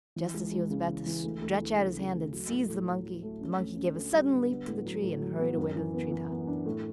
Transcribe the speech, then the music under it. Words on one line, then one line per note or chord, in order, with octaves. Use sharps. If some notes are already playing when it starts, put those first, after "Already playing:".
Just as he was about to stretch out his hand and seize the monkey, the monkey gave a sudden leap to the tree and hurried away to the tree top.
E3
C#2
C#2
C#3
E3
E3
D2
D2
E3
C#3
C#3
D2
F#3
A2
A2
F#3
F#3
A3
C#4
D2
C#4
D2
G3
D3
B3
A2
F#3
A2
F#3
B3
F#2
E3
B3
E3
B3
D4
A2